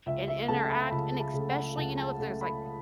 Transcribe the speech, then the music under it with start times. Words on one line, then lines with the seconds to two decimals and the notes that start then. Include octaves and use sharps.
and interact, and especially, you know, if there's like
0.06 C#2 E5
0.28 E5
0.48 C#3 A3 A5
0.70 B5
0.91 C#2 B5
1.20 A5
1.34 C#3 A3
1.49 F#5
1.77 C#2 A5
1.98 A5
2.20 C#3 A3
2.41 B5